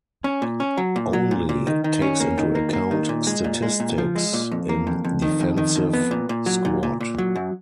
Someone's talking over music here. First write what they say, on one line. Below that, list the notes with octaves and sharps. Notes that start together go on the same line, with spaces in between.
Only takes into account statistics in defensive squad.
C#4
A#2
C#4
F#3
A#2
F#3
A#2
A#2
D#3
D#3
C#4
A#3
D#3
A#3
A#3
D#3
A#2
G#3
A#2
G#3
A#2
F3
G#3
A#2
F2
A#3
F2
F2
D#3
F2
D#3
F2
B3
A#2
A#2
F#3
A#2
A#2
A#2
F#3
F#2